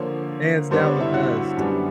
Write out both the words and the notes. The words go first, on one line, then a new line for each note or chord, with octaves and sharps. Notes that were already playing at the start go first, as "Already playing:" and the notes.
hands-down the best!
Already playing: D3 F3 A#3 C#5
G2 D3 G3 B3 D4 C5
C#5
E4 E5
F#4 F#5
F#2 D3 G3 B3 D4